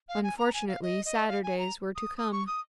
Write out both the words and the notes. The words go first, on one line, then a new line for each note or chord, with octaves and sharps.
Unfortunately sadder days were to come.
F5
G#5
A#5
G#5
F5
D#5
D#5
F5
G#5
A#5
D#6
D#6
C#6
D#6